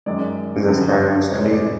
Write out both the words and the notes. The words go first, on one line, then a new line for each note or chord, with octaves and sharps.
The sky was clear.
F#2 D#3 G#3 D5
F#2 D3 G3
F2 C3 E3 G#3 C#5
D5